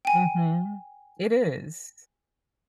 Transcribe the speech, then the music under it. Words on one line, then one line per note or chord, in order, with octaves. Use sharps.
Mhm, it is.
G5 G#5